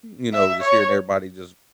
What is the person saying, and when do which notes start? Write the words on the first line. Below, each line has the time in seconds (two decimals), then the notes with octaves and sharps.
you know, just hearing everybody just
0.33 E5
0.62 C#5